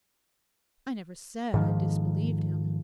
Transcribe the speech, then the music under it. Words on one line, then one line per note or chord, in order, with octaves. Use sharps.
I never SAID I disbelieved him.'
G#2 D#3 F3